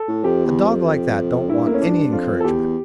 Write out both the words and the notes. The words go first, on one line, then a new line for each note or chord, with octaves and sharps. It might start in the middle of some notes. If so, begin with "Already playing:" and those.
A dog like that don't want any encouragement.
Already playing: A4
A2
F2 G4
E2
F2
G2 E4
A#3
A2 C#4
D4
G2
F2 F4
A4
E2 G4